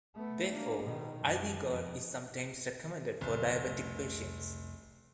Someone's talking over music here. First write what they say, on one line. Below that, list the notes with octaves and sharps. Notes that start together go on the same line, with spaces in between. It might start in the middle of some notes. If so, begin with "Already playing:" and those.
Therefore, ivy gourd is sometimes recommended for diabetic patients.
A3 B3
A#3 D4
B2 D#3
F#2
F2
F1 C#2
C2 F2 A3